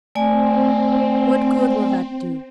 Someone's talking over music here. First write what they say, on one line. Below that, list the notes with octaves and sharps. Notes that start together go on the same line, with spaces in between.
"What good will that do?"
A3 C4 D5 G#5